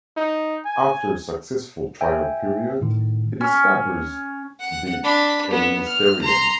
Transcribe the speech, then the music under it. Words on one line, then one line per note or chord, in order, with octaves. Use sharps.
After a successful trial period, he discovers the Elitserien.
D#4
G#5
E5 G5 G#5
A2 D#3
C#4
F#5
D4 B5
B3
F6
A#5 C6